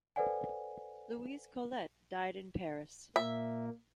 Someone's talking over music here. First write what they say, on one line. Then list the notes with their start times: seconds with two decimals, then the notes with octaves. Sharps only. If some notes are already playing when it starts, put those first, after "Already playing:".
Louise Colet died in Paris.
0.16 A4 B4 C5 D5 F#5 G#5
3.16 A#2 A#3 E5